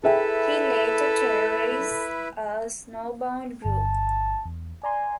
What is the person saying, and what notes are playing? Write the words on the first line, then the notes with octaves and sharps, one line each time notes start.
He later terrorizes a snowbound group.
E4 G#4 A4 B4 E5 G5
G1 A5
E2
D5 G#5 A#5 C6